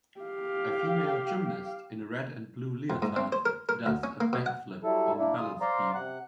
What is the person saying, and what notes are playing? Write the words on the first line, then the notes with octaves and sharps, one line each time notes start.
A female gymnast in a red and blue leotard does a back flip on the balance beam.
G4 F5
F2
G#2
C4
C5
A#4
A#4
D2
C#4
A#3
B2
F#5
F#3 G3 E4 A4
A#3 D4 E4
F#2 C#3 F4 D#6
C5 D5 F5 A#5 C6
C3 F#5 F#6